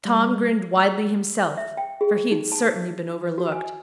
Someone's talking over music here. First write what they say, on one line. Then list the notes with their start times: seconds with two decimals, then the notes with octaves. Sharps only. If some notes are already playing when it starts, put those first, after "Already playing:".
Tom grinned widely himself, for he had certainly been overlooked.
0.05 G3
1.57 E5
1.77 G5
2.01 G#4
2.32 D#4
2.52 A5
3.38 F#4
3.52 G#5